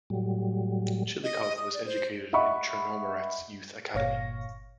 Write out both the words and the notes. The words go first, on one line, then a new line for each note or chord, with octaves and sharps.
Chilikov was educated in Chernomorets's youth academy.
A2 F#3 G3
D#5
D#6
D5
C5
D#5 E5 F#5 B5 C#6
G1 A#2 C#5 F5 C#6 A#6